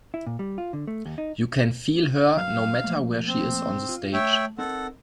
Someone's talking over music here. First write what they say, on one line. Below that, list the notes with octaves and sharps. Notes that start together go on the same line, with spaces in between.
You can feel her no matter where she is on the stage.
E4
A#2
G3
F4
D3
A3
D#2
D#4
G2 F#3 F5
F3 A3 A#3
C4
F4
A3 C#5 E5 G5
C4 D#4 A4 A#4 F#5